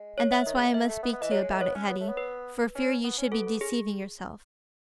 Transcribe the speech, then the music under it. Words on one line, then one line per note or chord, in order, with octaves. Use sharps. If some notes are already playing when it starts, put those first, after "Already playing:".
And that's why I must speak to you about it, Hetty, for fear you should be deceiving yourself.
Already playing: G#3
C#5
E5
D#3
C#3
B2
A3 E5
A3
B3
B3
E3 D#5
F#3 C#5
G#3
A3
B3 C#5
C#4
B3
A3
B3
B4
C#4
B3
C#4
B3 A4
B3
C#4 G#4